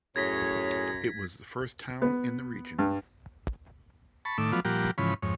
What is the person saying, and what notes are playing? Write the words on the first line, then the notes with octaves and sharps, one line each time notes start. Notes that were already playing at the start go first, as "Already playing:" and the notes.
It was the first town in the region.
F#2 A2 G#4 C#5 G#6 A#6 B6
B3
G2
A5 B5 C#6
A2 D#3 A3 D6 E6
F3 F#3 A3 B3 F4 D5
A#2 F3 G3 G4 A#4 F#5
G#2 C#3 E3 F3 C#5 B5
F2 G#2 C#5